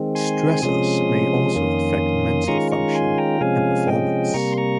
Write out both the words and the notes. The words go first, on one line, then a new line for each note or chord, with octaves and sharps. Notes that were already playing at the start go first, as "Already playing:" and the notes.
Stressors may also affect mental function and performance.
Already playing: D#3 G#3 C4
G#5 C6
C3 F3 G#3 C#4 C6 D#6
F2 D#3 A#3 C#4
D#3 G#3 C#4 F4 A#5 C#6
A#5 C#6
G#5 C6
G5 A#5
C3 F3 G#3 C#4 F5 G#5
D#5 G5
C3 G3 A#3 A#5 C#6
C6
A#5 C#6